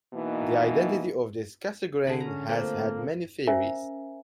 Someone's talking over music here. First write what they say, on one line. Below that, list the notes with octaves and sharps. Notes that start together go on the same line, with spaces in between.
The identity of this "Cassegrain" has had many theories.
B2 E3 A#3 D#4
D3 G#4 B5
C#4 A#5
F3 A3 A#3 C4
C#4 A#4 C5 E5 G#5 A#5